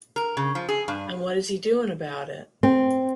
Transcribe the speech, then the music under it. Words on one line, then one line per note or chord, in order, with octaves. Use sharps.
And what is he doing about it?
A#4
C#3
F3
G#4
G2
C4